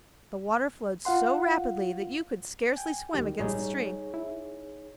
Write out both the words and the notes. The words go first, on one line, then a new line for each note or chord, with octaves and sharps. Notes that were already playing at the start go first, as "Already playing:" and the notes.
The water flowed so rapidly that you could scarcely swim against the stream.
F4 F5 F#5 C6
G5 G#5
D#2 D#3 G3
A#1 G#2 G3 D#4 G#4 C#5
E4